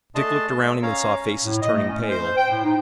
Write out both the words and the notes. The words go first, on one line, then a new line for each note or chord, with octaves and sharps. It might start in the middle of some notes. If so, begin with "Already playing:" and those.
Dick looked around him and saw faces turning pale.
A3 D4 G#4 D#5 A5 C6
G#3 E6
C#4 C#5 F5 A#5
A2
D#5
A3
C#4
C5
G5
A2
D#4